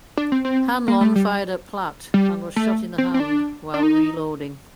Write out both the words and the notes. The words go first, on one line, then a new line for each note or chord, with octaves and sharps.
Hanlon fired at Platt and was shot in the hand while reloading.
D4
C4
C4
A#3
A3
G3
G3
A3
C4
C4
D4
D4
D#4